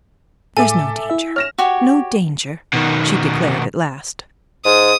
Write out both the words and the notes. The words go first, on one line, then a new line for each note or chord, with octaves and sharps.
"There's no danger--no danger!" she declared at last.
A2 A4 E5 G#5 D6
E4 E5
C#5 F6 A#6 E7
F#4 G4 C#5
B2 D#3
G#2 D#6